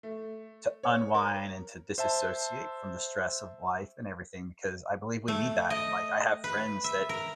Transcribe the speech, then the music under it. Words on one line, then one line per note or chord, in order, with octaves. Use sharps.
to unwind and to disassociate from the stress of life and everything, because I believe we need that, and, like, I have friends that
A3
C#5
A#4
C5 E5 A5
A3
D#5
B4
E5
A#4